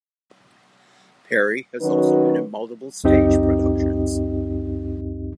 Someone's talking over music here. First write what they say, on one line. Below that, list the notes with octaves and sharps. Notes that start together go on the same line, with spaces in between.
Perry has also been in multiple stage productions.
D#3 F#3 C#4 D#4 F#4 B4
C#2 F#2 C4 D#4 G4 D#5